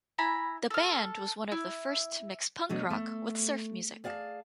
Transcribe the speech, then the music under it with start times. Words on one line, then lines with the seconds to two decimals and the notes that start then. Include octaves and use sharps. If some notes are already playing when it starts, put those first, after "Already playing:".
The band was one of the first to mix punk rock with surf music.
0.18 E4 G#5 A#5 B5
0.70 A4 F6
1.52 E4
2.69 B2 F#3 A3 D4 D#5
2.90 A3
4.04 G#4 D5 F5 F#5 A5